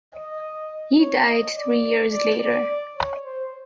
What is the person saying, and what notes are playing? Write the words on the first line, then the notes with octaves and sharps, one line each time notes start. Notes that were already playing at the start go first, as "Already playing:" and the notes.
He died three years later.
D#5
C#5
D#5
D5
D5
D5
C#5
C5